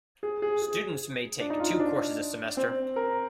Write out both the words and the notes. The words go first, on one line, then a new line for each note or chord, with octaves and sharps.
Students may take two courses a semester.
G#4
G#4
G#4
D4
D#4
F4
D#4
D4
C4
A#4